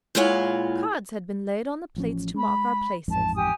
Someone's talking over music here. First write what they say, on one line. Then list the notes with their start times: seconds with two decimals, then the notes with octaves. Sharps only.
Cards had been laid on the plates to mark our places.
0.15 A#2 G#3 E4 F4 C#5 F#5
1.96 A1 F3 C#4
2.34 G#3 B5
3.08 A1 F2 G#2 A5
3.34 G4 G#5 D#6